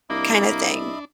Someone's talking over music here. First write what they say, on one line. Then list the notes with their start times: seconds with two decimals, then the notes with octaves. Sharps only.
kinda thing.
0.10 C2 A#3 D4 D#5 E5 B5